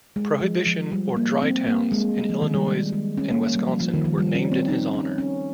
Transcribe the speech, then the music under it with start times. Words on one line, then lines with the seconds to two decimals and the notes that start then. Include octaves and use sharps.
Prohibition or dry towns in Illinois and Wisconsin were named in his honor.
0.16 G#3
0.41 F3
0.67 F3
0.92 G3
1.17 A#3
1.42 C4
1.67 A#3
1.92 G#3
2.17 G3
2.29 F3
2.42 D#3
2.55 G3
2.67 G#3
2.93 G#3
3.17 C#4
3.31 A#3
3.55 G3
3.68 F3
3.81 F3
3.93 D#3
4.05 F3
4.18 G3
4.35 C#4
4.52 C4
4.68 D#4
4.93 C#4
5.18 C#4